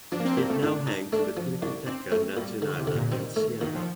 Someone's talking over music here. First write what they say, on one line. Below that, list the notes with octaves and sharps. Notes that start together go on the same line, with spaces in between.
It now hangs in the Pinacoteca Nazionale in Siena.
F3 D4
A#3
C4
A#2 A#3
A3
A2 D4
D#4
A3 D4
F3
C2 D4
C4 D4
A3
A#2 G3
D3
C3
D3
A#2
D#3 C4
A3
A#2 D#3
F3